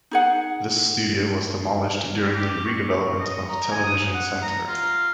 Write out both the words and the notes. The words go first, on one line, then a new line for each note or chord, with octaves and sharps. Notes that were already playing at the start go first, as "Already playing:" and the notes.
This studio was demolished during the redevelopment of Television Centre.
D#4 G#4 F#5
G4
C#6
D#5
A#5
G#5
D#6
F#5
A#5
F4